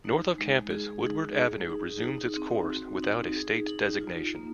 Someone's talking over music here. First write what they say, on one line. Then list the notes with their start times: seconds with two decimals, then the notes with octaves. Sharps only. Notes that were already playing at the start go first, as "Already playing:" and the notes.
North of campus, Woodward Avenue resumes its course without a state designation.
0.04 D#4
0.38 G#3
0.70 G#4
1.04 D#4
1.37 G#4
1.70 D#4
2.03 D#4
2.36 C4
2.70 F#4
3.02 D#4
3.35 G#4
3.68 D#4
4.01 F4
4.35 A#3